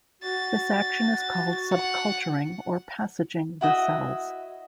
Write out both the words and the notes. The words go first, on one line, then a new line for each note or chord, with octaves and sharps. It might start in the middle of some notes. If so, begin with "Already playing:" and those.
This action is called subculturing or passaging the cells.
F#4 A6
F#5
E4 F#4 D#5 E5